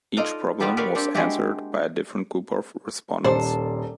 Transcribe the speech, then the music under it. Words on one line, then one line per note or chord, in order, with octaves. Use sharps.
Each problem was answered by a different group of respondents.
D#4 F4 A4 D5 D#5 A#5
G3 B3 F4 G4 A4
G4 A#4 B4 C#5 D5 F5
A#3 C4 D4 G4 F5
G#3 D4 E4 F#4 G4
D#1 D4 A4 C5